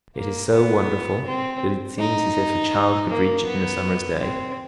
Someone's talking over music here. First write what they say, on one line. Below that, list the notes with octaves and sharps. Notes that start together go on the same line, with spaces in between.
It is so wonderful that it seems as if a child could reach it in a summer's day.
A#3
B3
C4
D#4
A#3
B3
C4